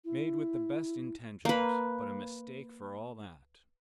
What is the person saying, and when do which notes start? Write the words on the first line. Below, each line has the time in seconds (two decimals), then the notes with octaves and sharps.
"Made with the best intentions--but a mistake for all that."
0.05 E4
1.45 A#3 B4